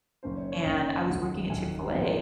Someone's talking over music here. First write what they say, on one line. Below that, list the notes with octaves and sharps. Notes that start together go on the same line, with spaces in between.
and I was working at Chick-fil-A,
F#1 F#2 D#3 A#3 C#4 C5
C#5
C#5
F#1 F#2 D#3 A#3 C#4
F1 D#2 D#3 F#3 F#5
F1 D#2 D#3 F#3 G#5
A#1 G#2 F3 A#3 D#4